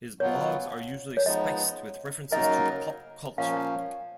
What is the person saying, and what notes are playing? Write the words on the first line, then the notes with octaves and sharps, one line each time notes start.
His blogs are usually spiced with references to pop culture.
B2 F#3 B3 F4 C#5
C#5
F3 G#3 B3 D#4 D#5
C#3 F#3 A#3 D#4 A#4 D#5
A#2 F3 A#3 C#4 F5